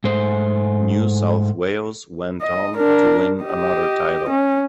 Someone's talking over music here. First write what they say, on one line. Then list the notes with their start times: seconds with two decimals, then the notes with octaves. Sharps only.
New South Wales went on to win another title.
0.04 G#2 A3 C5
2.42 D#5
2.77 D4 A#4
3.44 G4 D#5
4.29 C#4